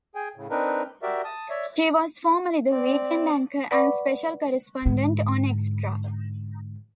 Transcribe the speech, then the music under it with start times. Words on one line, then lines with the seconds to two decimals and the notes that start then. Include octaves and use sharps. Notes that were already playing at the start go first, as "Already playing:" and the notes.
She was formerly the weekend anchor and special correspondent on Extra.
0.15 G#4 G5 G#5
0.36 A2 C#3
0.50 C4 D4 D#4 A#4 B4
1.03 F#4 G4 A#4 D5 E5
1.25 A5 D#6
1.50 C#5 D5 E5
2.71 C4 D5
3.71 B4 D5 F#5 B5 C#6 D6
4.86 G#2 D3